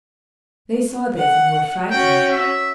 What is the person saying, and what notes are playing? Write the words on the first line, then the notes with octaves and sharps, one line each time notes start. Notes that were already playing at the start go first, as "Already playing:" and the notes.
They saw this, and were frightened.
F#5
C#4 F#4 G5
E5